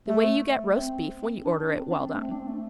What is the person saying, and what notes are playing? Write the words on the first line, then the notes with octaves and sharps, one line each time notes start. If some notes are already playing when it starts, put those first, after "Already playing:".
The way you get roast beef when you order it well done.
A3
C4
D4
C4
D4
C4
A3
C4
D4
C4
A3